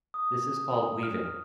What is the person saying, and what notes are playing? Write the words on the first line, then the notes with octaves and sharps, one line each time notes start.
This is called Weaving.
D#6
F6